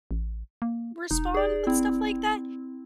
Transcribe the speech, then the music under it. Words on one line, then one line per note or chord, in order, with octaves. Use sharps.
respond with stuff like that.
A1
A#3
E1 D#4
G#4 D5
C4 E4